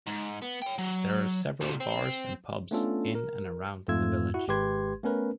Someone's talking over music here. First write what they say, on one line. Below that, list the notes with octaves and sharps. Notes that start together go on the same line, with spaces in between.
There are several bars and pubs in and around the village.
G#2
B3
C#5 G5
F#3
A#2 G3
C4
A3 B3 C#4 D4 F4 A4
A#4
F2 G#2 A3 F4 E6 G#6
E4 F#4 F#5
G#1 G#3 G4 B4 C6 G#6
A3 B3 C#4 A#4 B4